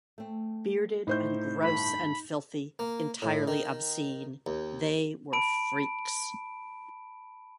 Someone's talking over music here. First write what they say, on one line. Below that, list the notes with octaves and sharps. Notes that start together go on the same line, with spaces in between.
'Bearded and gross and filthy, entirely obscene, they...were freaks.
A3 C4
A2 D#4 C5 G6
D2 G2 A4 B5
A#3
A2
D#3
D#2
A5 B5 D7